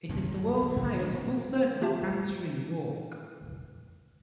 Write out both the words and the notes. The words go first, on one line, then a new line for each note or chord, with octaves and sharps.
It is the world's highest full-circle, hands-free walk.
F#2 C3 D#3 A#3
F#2 G#3
F2 D#3 A3
A#1 F#3 A3
D#3 B3 D4
A#2 D#3 C4
A3 F4 G4 E5 A5